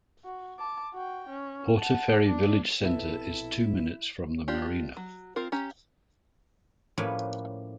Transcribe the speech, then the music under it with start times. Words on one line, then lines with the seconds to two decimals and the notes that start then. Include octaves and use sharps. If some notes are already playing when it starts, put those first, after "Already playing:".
Portaferry village centre is two minutes from the marina.
0.24 F#4
0.59 A5 D6
0.94 F#4 G5
1.29 C#4
1.79 F#5 A5
2.27 D4
2.83 A#1 B2 C4 E4 A4 B4 E5
4.48 D4 F4 G4
4.97 F#3
5.36 C4 F4 A#4
5.52 C#4 G4 A#5
6.98 A2 F3 G3 A#3 C#4 B4